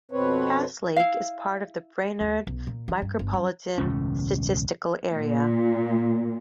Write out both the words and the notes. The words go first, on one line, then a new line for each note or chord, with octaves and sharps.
Cass Lake is part of the Brainerd Micropolitan Statistical Area.
F2 B2 C4 B4 C#5
E4 F5
D#2
B1
A#2
E3
G2
G1
F#2
E1 C#2 A2 C#4
A#2